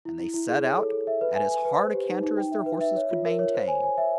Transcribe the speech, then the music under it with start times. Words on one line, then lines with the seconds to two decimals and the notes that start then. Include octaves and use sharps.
And they set out at as hard a canter as their horses could maintain.
0.05 E4
0.20 E4
0.34 E4
0.48 G#4
0.64 C#5
0.77 A4
0.92 A4
1.07 E5
1.21 B4
1.35 G#5
1.51 G#5
1.65 B4
1.79 C5
1.94 G4
2.09 D#4
2.23 D#4
2.37 G5
2.52 E5
2.66 B4
2.81 E5
2.96 C#5
3.11 F4
3.25 A#4
3.39 C#5
3.54 C5
3.68 G#5
3.83 G#5
3.98 E5